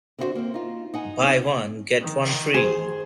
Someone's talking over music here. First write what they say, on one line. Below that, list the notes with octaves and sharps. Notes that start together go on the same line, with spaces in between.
Buy one, get one free.
D3 C4 C#4 E4 F#4 C5
A#3 C4
D#4 F4
D#4 F#5 G#5
C4 C#4
D#3
G#4 C5